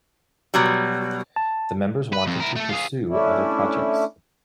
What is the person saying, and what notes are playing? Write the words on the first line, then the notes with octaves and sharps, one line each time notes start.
The members wanted to pursue other projects.
B2 F#3 G3
A5
B4
F2
E4 A#4
A3 A4
F4 G#4
A3 C#4 D4 E4